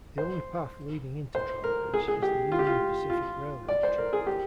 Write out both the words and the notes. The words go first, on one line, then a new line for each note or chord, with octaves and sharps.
The only path leading into Drawbridge is the Union Pacific Railroad track.
C5
C5
A#4
G#4
G#4
G4
F4
G4
F4
F4
D5
C5
A#4
G#4
G4